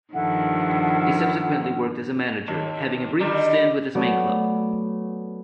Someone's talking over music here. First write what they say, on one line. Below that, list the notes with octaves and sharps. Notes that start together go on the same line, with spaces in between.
He subsequently worked as a manager, having a brief stint with his main club.
G2 D#3 F3 E4 A4 F#5
D#2
D3 D#3 G3
F#3 A3 B3 C#5 D5